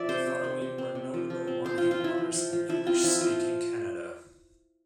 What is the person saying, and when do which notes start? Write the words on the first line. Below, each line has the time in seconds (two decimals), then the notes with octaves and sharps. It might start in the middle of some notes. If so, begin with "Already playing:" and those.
The following were notable one-hit wonders in English speaking Canada.
Already playing: F3 D5 E5
0.09 C3 C5
0.27 C3
0.44 C3
0.62 C3
0.78 C4
0.95 C3
1.14 F3
1.30 F3
1.47 C4
1.65 C4 C5
1.78 F3 F4
1.91 F4
2.00 F3 E4
2.18 F3
2.34 F3
2.53 F3
2.69 F3 E4
2.87 C4 F4
3.04 F3 E4
3.21 F3 F4